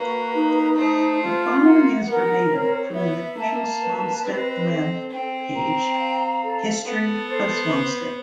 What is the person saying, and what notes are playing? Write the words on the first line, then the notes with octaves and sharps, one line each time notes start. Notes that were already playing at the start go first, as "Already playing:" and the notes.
The following is verbatim from the official Swampscott web page: History of Swampscott.
Already playing: A#3 F#4 B4
D#4
A3 C5
F4
A#3 F#5
B3 A#4
C4 C#5
B3 E5
A#3 A5
B4
C4 D#5
A4
C4 G5
A#5
F5
A4
B3 A4
C5